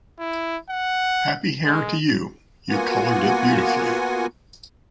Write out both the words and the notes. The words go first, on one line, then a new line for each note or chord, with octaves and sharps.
Happy hair to you. You colored it beautifully.
E4
F#5
G#3
A#3 B3 F4 F#4 F#5 G#5